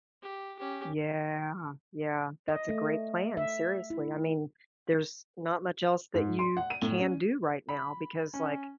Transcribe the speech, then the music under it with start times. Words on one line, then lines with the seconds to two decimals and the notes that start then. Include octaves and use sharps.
Yeah, yeah, that's a great plan, seriously. I mean, there's not much else that you can do right now because, like,
0.22 G4
0.59 C#4 G4
2.48 D#5
2.69 A3
3.37 E5
3.90 E4
6.14 G#2
6.39 C6
6.57 F#5
6.70 D#7
6.82 A2
6.99 C#4
7.69 B5
8.34 C#4